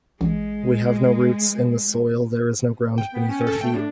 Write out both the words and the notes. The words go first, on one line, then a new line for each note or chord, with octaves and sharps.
We have no roots in the soil, there is no ground beneath our feet.
A1 G#3
G5
B3
C#4
A4
A3 G5
A2 D4